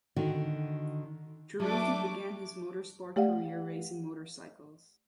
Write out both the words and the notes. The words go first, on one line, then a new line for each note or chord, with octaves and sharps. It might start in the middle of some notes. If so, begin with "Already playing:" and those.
Taruffi began his motorsport career racing motorcycles.
D3 D#3 F#4
F#3 A3 D4 D6
A3 G4 D5 F5 F#5